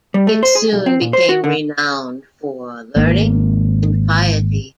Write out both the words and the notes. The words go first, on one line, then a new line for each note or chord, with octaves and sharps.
It soon became renowned for learning and piety.
G3
A3
C5
G#4
B1
C4
A#2
C5
F#4
D3
G#1 A#3